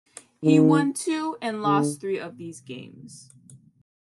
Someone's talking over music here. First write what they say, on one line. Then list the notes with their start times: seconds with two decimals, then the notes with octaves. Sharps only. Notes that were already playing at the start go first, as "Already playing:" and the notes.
He won two and lost three of these games.
0.44 D#3
1.65 D3